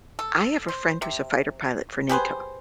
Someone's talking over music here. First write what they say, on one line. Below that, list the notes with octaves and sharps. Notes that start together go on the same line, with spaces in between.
I have a friend who's a fighter pilot for NATO,
A4
C5
C3
G4 G#4 B4 C5